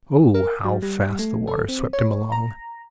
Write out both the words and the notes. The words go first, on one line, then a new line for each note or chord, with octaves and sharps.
Oh, how fast the water swept him along!
A#4
F#3
G3
A3
A4
C4
C#5
A#5